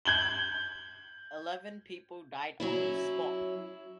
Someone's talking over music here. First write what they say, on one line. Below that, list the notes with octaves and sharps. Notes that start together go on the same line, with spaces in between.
Eleven people died on the spot.
G6 G#6 F#7 G7
F#3 C#4 E4